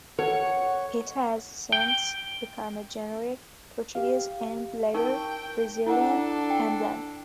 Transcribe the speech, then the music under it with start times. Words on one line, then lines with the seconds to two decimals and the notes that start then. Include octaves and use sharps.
It has since become a generic Portuguese and, later, Brazilian emblem.
0.19 A4 C#5 F#5
1.72 G5
3.95 G4 F5
4.94 D#4 A#4 G5 C#6
5.86 D4 E4 A4 F#5
6.50 G5